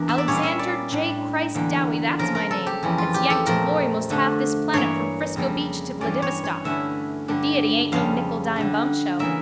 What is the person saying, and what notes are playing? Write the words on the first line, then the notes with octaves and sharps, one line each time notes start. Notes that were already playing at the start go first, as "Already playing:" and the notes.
Alexander J Christ Dowie, that's my name, that's yanked to glory most half this planet from Frisco beach to Vladivostok. The Deity aint no nickel dime bumshow.
Already playing: E2 E3 A#3 D4
E5
D5
A#2 G3 A#3 C#4 E4 C#5
F5
E5
D5
A2 G3 D4
E2 D3 G3 A#3
C#3 F3 A#3 A#4
A#4
A4
G4
F2 E3 A#3 C#4 E4
F4
G4
A4
A#2 F3 A3 A#4
D3 A3 D4
G2 E3 A#3 C#5
F2 C#3 G3 A#3
G2 E3 G3 C#4 D5
C#5
C#5
G2 D3 A3 C#4 E4 E5
G2 D3 G3 D4
F2 C#3 G3 F5
D3 G3 D4
C#3 E3 A#3 E5